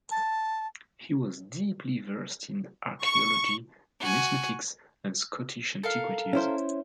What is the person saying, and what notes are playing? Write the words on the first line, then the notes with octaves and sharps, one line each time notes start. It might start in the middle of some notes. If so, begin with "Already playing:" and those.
He was deeply versed in archeology, numismatics and Scottish antiquities.
A5
C#6
F#4 G#5
A4 A#4 F5
C#4 E4 C5